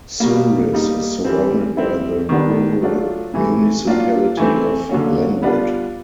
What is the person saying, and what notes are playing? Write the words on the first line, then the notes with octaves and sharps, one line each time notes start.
Souris is surrounded by the Rural Municipality of Glenwood.
B2 G3 A#3
G3 A#3 D#4
E3 G3 C4
G3 C4 E4
D#3 G3 B3 D4
F#3 A3 D4 F4
C3 E3 A3
F#3 A#3 D4 F4
E3 A3 C4
D3 F#3 A#3 C#4
G3 B3 D4 F4